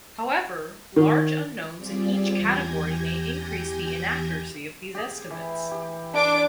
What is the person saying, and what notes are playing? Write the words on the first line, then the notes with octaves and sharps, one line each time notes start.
However, large unknowns in each category may increase the inaccuracy of these estimates.
D#3
G3 C4 F4 G#4 D5
E2 G4 G#5 G6 G#6 A#6
G4 G#4
E3
G4
D4 D6